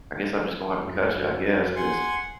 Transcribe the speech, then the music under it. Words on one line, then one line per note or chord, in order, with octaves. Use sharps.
I guess I'm just gonna have to cut ya, I guess, 'cause,
F#2
F#5 G#5 C6